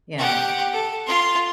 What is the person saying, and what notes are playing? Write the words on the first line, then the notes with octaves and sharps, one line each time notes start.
you know,
G4 F#5
A4
F4 C6